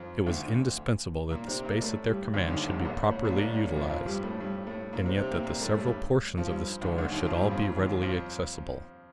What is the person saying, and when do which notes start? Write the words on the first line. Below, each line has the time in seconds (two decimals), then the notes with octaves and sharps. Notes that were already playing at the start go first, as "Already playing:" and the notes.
It was indispensable that the space at their command should be properly utilized, and yet that the several portions of the store should all be readily accessible.
Already playing: F2 F3
0.26 D2 D3
1.30 A#2 A#3
1.47 C3 C4
1.65 A#2 A#3
1.82 A2 A3
2.07 G2 G3
2.34 D2 D3
2.47 D3
2.50 D#2 D#3
2.68 C2 C3
2.85 A#1 A#2
2.98 A2
3.11 A2
3.25 A#1 A#2
3.37 A#1 A#2
3.50 A2
3.63 A2
3.75 F2 F3
3.88 F2 F3
3.98 F3
4.06 G2 G3
4.23 A2 A3
4.40 G2 G3
4.66 A2 A3
4.93 A#2 A#3
5.05 C3 C4
5.17 C3 C4
5.31 A#2 A#3
5.43 A#2 A#3
5.61 A2 A3
5.74 A3
5.78 G2 G3
6.37 F3
6.47 G2 G3
6.82 D2 D3
6.98 D2 D3
7.11 D#2 D#3
7.24 F2 F3
7.38 G2 G3
7.51 F2 F3
7.77 D#2 D#3
8.02 F2 F3